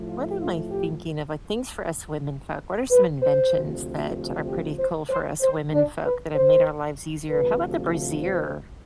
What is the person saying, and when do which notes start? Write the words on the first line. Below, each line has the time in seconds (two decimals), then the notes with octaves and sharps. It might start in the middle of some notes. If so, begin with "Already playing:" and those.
what am I thinking of? Like, things for us women folk. What are some inventions that are pretty cool for us women folk that have made our lives easier? How about the brassiere?
Already playing: A2 F3
0.09 F4
0.41 F4
0.71 G4
2.91 B4
3.23 C5
3.53 D2 C3 F3
4.47 G4
4.78 C5
5.09 C5
5.41 C5
5.72 D4
6.04 B4
6.35 C5
7.29 D2 C3 F3 B4
8.23 C5